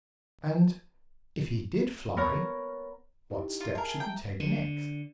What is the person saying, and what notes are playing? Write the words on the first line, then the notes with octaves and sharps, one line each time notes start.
And if he did fly, what step should we take next?
B3 A#4 C#5
D#4 E4 G4
F4
G#4 A#4 E5 A5
G5 A#5
D3